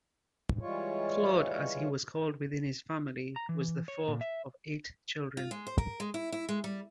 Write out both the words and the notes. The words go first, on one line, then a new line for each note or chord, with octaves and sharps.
Claude, as he was called within his family, was the fourth of eight children.
E3 G3 G#3 F4 C#5
A#5
E3
C#5
A#2
E5
F4
G#3
C5
A#4
G#3
E4
E4
G#3
G3